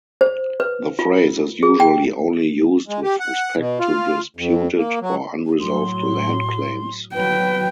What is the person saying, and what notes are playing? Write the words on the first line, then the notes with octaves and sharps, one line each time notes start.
The phrase is usually only used with respect to disputed or unresolved land claims.
C5
B4
F4
G#4
G5
G#3
G4
F#5
B2
F4
F2
A#3
F#3
A2 F#3 C6
F#3 B4 G5